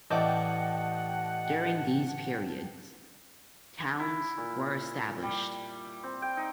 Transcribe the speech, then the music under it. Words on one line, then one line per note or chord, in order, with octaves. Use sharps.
During these period, towns were established.
A1 D5 D#5 F#5 G5 A5
E4
A#2
G3
C4
G5
D#4